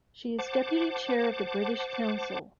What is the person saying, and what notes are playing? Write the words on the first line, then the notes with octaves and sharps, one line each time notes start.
She is deputy chair of the British Council.
C5 F#5 A5 D6